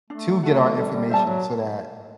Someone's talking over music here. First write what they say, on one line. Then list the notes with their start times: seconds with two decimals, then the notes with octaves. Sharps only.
to get our information, so, that
0.10 A3 D4
0.43 A3 F#4 A4
0.77 G3 A4
0.93 G3
1.10 G3 C5 E5 A5
1.26 F#3